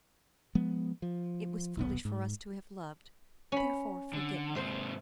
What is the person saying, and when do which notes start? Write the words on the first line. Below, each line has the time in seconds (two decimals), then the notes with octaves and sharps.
It was foolish for us to have loved, therefore forget me.
0.55 F3 G#3 B3
1.02 F3
1.77 D#1 B1 B3
2.05 G#2
3.52 C#4 B5
4.13 D3
4.55 G#2 C3 C5 E5